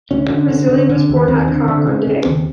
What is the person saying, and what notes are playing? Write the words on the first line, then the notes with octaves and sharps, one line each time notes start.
Mazzilli was born at Caconde.
D2 C#4
D3
D3
D3
D3
D#2
D#2 C4
D3
D3
C#3
C#3
D#2